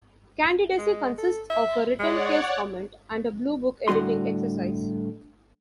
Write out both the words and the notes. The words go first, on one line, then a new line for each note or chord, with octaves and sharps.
Candidacy consists of a written case comment and a Bluebook editing exercise.
G#3
A4
E5
G#3 C#5 D5 F#5
A2 D3 G3 F#4 C6